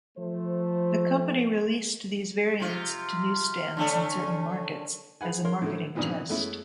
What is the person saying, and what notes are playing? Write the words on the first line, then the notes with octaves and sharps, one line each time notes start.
The company released these variants to newsstands in certain markets as a marketing test.
F3 A3 C5
C3 F4
D3 A3 C#4
G#4 B4 F#5 G#5
A#4 C#5 C6
A2 D3 F#3 A3
G2 A#2 D#3 E3 B3 C4
F#2 G#3 A3 B3 C#4 E4